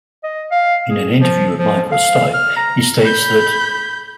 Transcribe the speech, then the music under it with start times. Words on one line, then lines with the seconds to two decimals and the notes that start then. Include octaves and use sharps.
In an interview with Michael Stipe, he states that: ...
0.24 D#5
0.51 F5
0.91 G#4
1.21 F3
1.59 F3
1.92 F5
2.34 F6
2.57 A#5
3.04 B5 G6